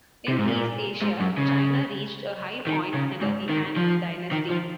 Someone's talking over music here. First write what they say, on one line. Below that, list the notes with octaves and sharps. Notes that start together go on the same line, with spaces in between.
In East Asia, China reached a high point under the Han Dynasty.
C3
G#2
A#2
G#2
F#2
C#3
D#3
C#3
G#2
D#3
F3
D#3
F3